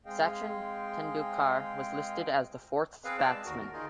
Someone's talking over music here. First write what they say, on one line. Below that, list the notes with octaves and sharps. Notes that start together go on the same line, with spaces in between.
Sachin Tendulkar was listed as the fourth batsman.
G#3 C4 G#4 D#5 F5 G5
C4 G#4 B4 F5
D5 F5 G5 A5
G#3
D#2 F#4 A#4
A#4
D3 D#3 D#4 F4 G#4 A#4